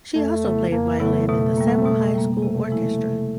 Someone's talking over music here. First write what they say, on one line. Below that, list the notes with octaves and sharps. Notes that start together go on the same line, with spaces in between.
She also played violin in the Samohi school orchestra.
F2 A3
C#3 F#3 B3 E4
F2 A#3
C#3 F#3 A3 B3 E4
B2 A3
G3 A#3
B2
G3 A#3
C3 A3
F3 G#3 B3 E4
C3